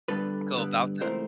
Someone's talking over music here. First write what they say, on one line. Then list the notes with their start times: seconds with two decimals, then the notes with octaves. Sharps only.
go about that.
0.08 G2 D3 G3 B3 A4 B4
0.55 G2 D3 G3 B3
1.01 C#2 C3 E3 A3 A#4 C5